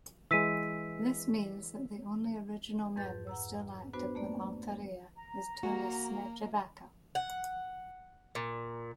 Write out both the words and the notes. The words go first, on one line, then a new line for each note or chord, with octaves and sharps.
This means that the only original member still active with Altaria is Tony Smedjebacka.
E3 G#3 E6 B6 D#7
F2 G#2 B4 G6 A6
F#5 A#5 E6
B3 D4 F#4 B4 C5
A3 A#3 D5
A#5
A#3 F#4
F#5
A#2